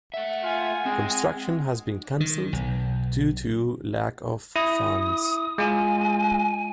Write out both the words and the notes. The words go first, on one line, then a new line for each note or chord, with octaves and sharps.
Construction has been cancelled due to lack of funds.
A3 E5 F#5
F4 G#5
G#3 C4
D#3
B1
E4 D#6
G#3 F4 G#5